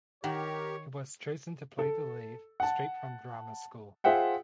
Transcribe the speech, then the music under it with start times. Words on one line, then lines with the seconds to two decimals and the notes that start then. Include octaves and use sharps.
He was chosen to play the lead straight from drama school.
0.24 D#3 G4 A#4 C#5 F#5 G5
1.79 A4
2.60 F#5 A5
4.04 F4 G#4 C5 E5 F#5 G5